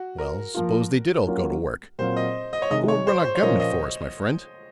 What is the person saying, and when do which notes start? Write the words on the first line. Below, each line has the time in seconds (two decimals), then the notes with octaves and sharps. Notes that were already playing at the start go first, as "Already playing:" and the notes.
"Well, suppose they did all go to work; who would run our government for us, my friend?"
Already playing: F#4
0.18 A#4
0.54 F3 A#3 F4
1.26 F#3 A#3 C#4 F4
1.99 A#2 F#3 C4 F4 C5
2.17 D#5
2.53 D#5
2.62 C#5
2.70 C3 D#3 G#3 D#5
2.88 C#5
3.07 C5
3.25 C5
3.35 C#5
3.42 A#2 F3 A#3 C#4 F4 D#5
3.60 D#5